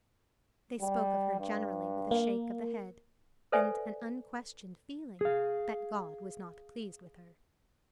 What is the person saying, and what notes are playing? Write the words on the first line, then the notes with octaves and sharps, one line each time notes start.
They spoke of her generally with a shake of the head, and an unquestioned feeling that God was not pleased with her.
G3
G2
A#3
A4 B4 C5 D5 E5 G#5
G#4 F5